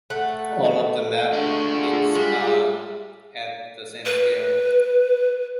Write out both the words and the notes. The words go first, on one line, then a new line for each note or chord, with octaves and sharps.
All of the map links are at the same scale.
A3 F#5
D4 F4 F#4 G#4
G3 G#3
B4